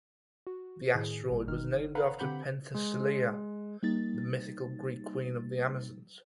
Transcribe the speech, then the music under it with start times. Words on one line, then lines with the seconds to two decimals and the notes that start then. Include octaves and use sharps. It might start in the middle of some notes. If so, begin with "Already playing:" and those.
The asteroid was named after Penthesilea, the mythical Greek queen of the Amazons.
0.47 F#4
0.93 A2 D#3 G#4
1.30 G#1 G3
1.48 G1 D#3 D#4 F6
1.95 A4 B4 F5 F#5 A#5 B5
2.19 D3 C4 G4 F#5 B5 G6
2.74 G#3
3.83 G3 A#3 D#4 A6